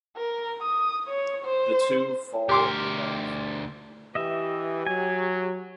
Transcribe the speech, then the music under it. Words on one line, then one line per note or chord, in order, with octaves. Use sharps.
The two fall in love.
A#4
D#6
C#5
C5
D2 G4 A#4 C6 D6
E3 G4 D#5 E5
F#3 G#5